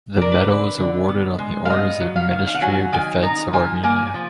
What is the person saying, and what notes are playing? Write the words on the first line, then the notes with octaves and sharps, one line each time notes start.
The medal is awarded on the orders of Ministry of Defense of Armenia.
D4 A#4
B4
D3
D3
B3
G#3
F5
B3 D#5
F#3
F5
D#3
F5
F#5
F#3 G#5
D#3 G#5
D#4 A#5
F3 G#5
A#3 G#5
F3